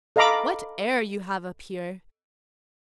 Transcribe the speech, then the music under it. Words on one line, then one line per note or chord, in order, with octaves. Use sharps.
What air you have up here!
A4 D#5 F5 A#5 B5 D6